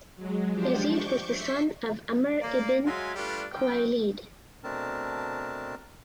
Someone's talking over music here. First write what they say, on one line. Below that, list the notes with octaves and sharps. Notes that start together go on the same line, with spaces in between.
Yazid was the son of Amr ibn Khuwaylid.
F#3 G#3
F3 G#3 D4 G4 C5
C#6 D6 G6
E5 C#6 G6 B6 C7
A#3 D5
F#3 G#3 E5 F5 G#5 C6
G3 A3 D4 F4 G4 B4
F#2 G5
B2 A3 C4 D4 A#4 A5